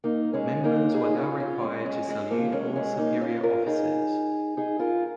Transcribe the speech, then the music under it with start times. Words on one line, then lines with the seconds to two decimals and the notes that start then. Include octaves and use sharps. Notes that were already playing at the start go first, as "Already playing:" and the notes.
Members were now required to salute all superior officers.
0.04 A#3 D#4
0.34 G#3 C#4
0.64 A#3 D#4
0.95 D#4 G#4
1.17 C#4 F4
1.40 C#4 F4
1.62 G#3 C#4
1.85 G#3 C#4
2.08 G#3
2.30 F3 A#3
2.53 G#3 C#4
2.76 G#3 C#4
2.98 A#3 D#4
3.21 C#4 F4
3.43 F4 A#4
3.66 D#4 G#4
4.57 D#4 G#4
4.79 F4 A#4